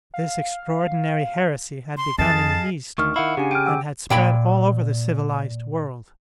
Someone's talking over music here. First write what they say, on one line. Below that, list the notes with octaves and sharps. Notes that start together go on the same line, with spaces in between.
This extraordinary heresy had begun in the East, and had spread all over the civilized world.
F5
C6
F2 G#4 D#5 F5 A5 A6
D2 D#3 C#6 F6
D#3 E4 F5 F#5
C#3 D4 G4 G#5
G5 F6 D7 D#7
F#5 D6 E6
A#2 G5 B5